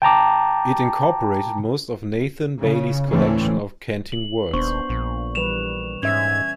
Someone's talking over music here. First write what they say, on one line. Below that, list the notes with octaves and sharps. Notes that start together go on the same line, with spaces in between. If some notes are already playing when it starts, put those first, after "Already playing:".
It incorporated most of Nathan Bailey's collection of canting words.
G5 A5 A#5 D6
C#3
D2 A2 E3 A3 C4 C#4
F#7
D#1 B3 D4 C5 C#6
A#1 A#2
E3 G3 B4 E7 F7
G#2 C#4 E5 G#6